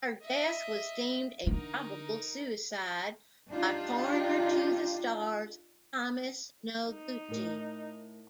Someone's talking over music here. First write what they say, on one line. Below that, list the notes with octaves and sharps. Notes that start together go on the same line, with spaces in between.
Her death was deemed a probable suicide by "Coroner to the Stars" Thomas Noguchi.
D#5 E5
D3 D#4 A#4
D4 D#4 F4 G4
D#4
A2 A#4